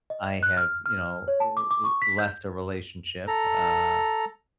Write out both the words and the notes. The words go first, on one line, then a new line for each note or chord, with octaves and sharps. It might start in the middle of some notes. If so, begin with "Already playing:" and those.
I have, you know, l l left a relationship, uh,
D#5
F#6
F6
F6
C#5
A5
D6
D6
C#6
B6
G6
A4 A#5